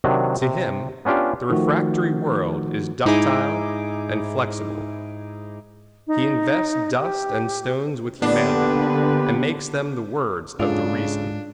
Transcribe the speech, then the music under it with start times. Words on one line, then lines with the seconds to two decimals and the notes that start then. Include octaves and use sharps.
To him, the refractory world is ductile and flexible; he invests dust and stones with humanity, and makes them the words of the Reason.
0.04 C3 D#3 F#3 D4
0.42 C3
1.05 B3 C#4 D4 F4 G4
1.50 D#3 F3 A3 F#4
3.05 G#2 D#4 E4 G#4 D6
6.07 D#4
6.99 G4
8.22 D3 A#3 B3 D4 G4 B4
10.60 G#2 C#3 D4 F4 A4 D5